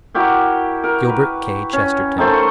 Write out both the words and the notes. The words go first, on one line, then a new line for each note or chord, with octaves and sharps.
Gilbert K. Chesterton.
E4 F#4 G4 A#4
A#4
B4
C#4
D#3 A3 C5 A5
C#6